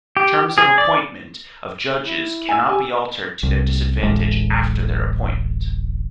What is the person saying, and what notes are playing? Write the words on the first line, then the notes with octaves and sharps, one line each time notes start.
Terms of appointment of judges cannot be altered to their disadvantage after their appointment.
G4
G#4
D5
E4
G#5 E6
G4 G#5
C2
D1 A1 G#3